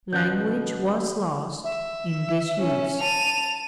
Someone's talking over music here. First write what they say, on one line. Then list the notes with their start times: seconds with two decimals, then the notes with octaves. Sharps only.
Language was lost in disuse.
0.13 B2 D#3 C#4 F#6 G6
1.64 E5
2.59 C#4
3.00 A5 D#7 F7